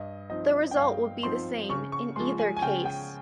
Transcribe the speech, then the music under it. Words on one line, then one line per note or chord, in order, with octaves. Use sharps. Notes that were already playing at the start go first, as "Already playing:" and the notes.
The result will be the same in either case.
Already playing: G2 D#5
F3 C4 D#4 D#5
G5
G2 F5
F3 C4 D#4 C6
C#3 C#6
C#6
F3 G#3 C6
G#5
G#5
C#3 G5
G5